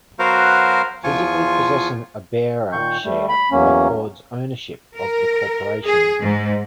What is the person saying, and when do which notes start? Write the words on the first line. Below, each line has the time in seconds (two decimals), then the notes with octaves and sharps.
Physically possessing a bearer share accords ownership of the corporation.
0.19 F#3 B3 F#4 A#4 C5 F5
1.04 E2 F3 F4 G#5 C#6
2.72 A#2 D#3 C#6 G6
3.04 G3 A3
3.29 B5
3.52 E2 F#3 A#3 C#4
4.96 A#4
5.86 G#4
6.22 G#2